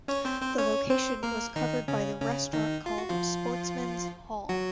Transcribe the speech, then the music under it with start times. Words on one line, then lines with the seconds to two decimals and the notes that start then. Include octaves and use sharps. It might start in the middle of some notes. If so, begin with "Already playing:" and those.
The location was covered by the restaurant called "Sportsman's Hall".
0.08 C#4 C#5
0.25 C4 C5
0.41 C4 C5
0.58 C#4 C#5
0.90 C4 C5
1.23 A#3 A#4
1.56 D#3 D#4
1.88 C#3 C#4
2.21 C#3 C#4
2.53 D#3 D#4
2.86 F4
2.98 F#4
3.09 F3 F4
4.49 F#3 F#4